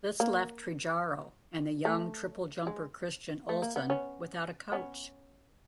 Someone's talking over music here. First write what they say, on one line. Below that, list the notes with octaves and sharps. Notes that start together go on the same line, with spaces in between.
This left Tregaro and the young triple jumper Christian Olsson without a coach.
A#3
A3
G#3
A3
A#3
B3
B3 C#4
B3 C#4